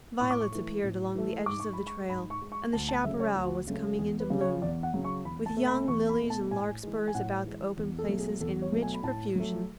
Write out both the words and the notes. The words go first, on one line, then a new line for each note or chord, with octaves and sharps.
Violets appeared along the edges of the trail, and the chaparral was coming into bloom, with young lilies and larkspurs about the open places in rich profusion.
A2 C#6
D6
C#6
E3 A3
A2
E3 A3
G#2 D6
C#6
B5
G#3
C#6
G#2 B5
C#6
G#3
C#6
D2 A5
A5
C#3 F#3 A3 E5
C#5
D2 F#4
C#3 F#3 A3
E2 G#4
B4
C#3 F#3
C#5
E2 D5
F#5
C#3 F#3
C#6
E2 B5
A5
B2 A3
B5
E2 C#6
B5
B2 A3
A5
A2 G#5
E3 G#3
G#5
A2 F#5
E3 G#3
E2
A4
B2 F#3 A3
G#4
E2 A4
C#5
B2 F#3 A3
G#5
B5
A2 A5
F#3 A3